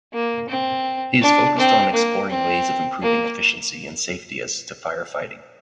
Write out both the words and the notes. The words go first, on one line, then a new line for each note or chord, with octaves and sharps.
He is focused on exploring ways of improving efficiency and safety as to firefighting.
A#3
C4
D4
C4
A#3
C4
A#3